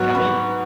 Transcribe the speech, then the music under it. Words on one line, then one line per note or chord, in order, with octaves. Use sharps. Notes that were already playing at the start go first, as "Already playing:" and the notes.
Come in!
Already playing: G#2 F#3 B3 F#4
B4